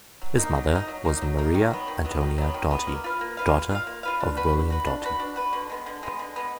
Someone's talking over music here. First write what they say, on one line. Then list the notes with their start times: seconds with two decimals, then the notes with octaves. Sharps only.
His mother was Maria Antonia Doughty, daughter of William Doughty.
0.22 F#3
0.38 A#3 D#4
0.55 F#3
0.72 A#3 D#4
0.88 F#3
1.05 A#3 D#4
1.22 F#3
1.38 A#3 D#4
1.54 D#3
1.71 F#3 B3
1.88 D#3
2.05 F#3 B3
2.21 D#3
2.38 F#3 B3
2.54 D#3
2.71 F#3 B3
2.87 A#3
3.04 F4 B4 F5
3.21 A#3
3.37 F4 B4 F5
3.54 A#3
3.70 F4 B4
3.75 F5
3.87 A#3
4.03 F4 B4 F5
4.20 D4
4.37 F#4 B4
4.53 D4
4.70 F#4 B4
4.86 D4
5.03 F#4 B4
5.20 D4
5.36 F#4 B4
5.53 D3
5.70 G#3 B3
5.86 D3
6.03 G#3 B3
6.19 D3
6.36 G#3 B3